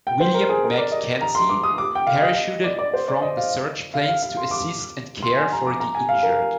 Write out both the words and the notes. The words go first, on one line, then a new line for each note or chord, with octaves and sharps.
William MacKenzie, parachuted from the search planes to assist and care for the injured.
G5
C5
A#4
G#4
A#4
D5
D#5
A#5
C6
D6
D#6
D6
G5
F5
D#5
D5
D5
C5
D5
D#5
F5
F5
F5
F5
C6
D6
C6
G#5
A#5
D6
A#5
G#5
F5
A#4